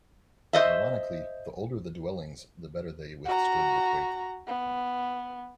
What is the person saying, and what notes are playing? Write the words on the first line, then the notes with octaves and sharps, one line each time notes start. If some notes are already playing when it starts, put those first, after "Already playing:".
Ironically, the older the dwellings, the better they withstood the quake.
C5 D#5 E5
F#4 A#5
B3